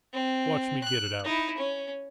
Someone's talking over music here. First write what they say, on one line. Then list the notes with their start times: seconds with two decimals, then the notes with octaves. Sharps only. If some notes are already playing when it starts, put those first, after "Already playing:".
Watch me get it out!'
0.13 C4
0.84 F#6
1.24 D#4 E4
1.57 C#4